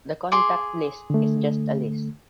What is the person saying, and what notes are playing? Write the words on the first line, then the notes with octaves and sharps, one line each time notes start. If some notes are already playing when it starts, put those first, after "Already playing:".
The contact list is just a list.
G#4 C6 D6
D3 A3